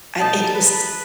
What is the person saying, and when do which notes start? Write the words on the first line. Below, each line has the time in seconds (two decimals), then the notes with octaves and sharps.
I it just
0.20 B2 A3 D#4 A5
0.54 B4